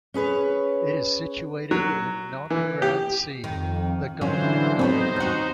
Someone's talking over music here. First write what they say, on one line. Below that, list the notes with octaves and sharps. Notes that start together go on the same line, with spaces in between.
It is situated in Novigrad Sea, the gulf of Novigrad.
C#4 G#4 B4 C#5
F#3
E3
G4
F2 D#3
D3 E3 F#3 C#4 F4 C5
F#3 A3 B3 C4 D#4 C5
D#2 F#4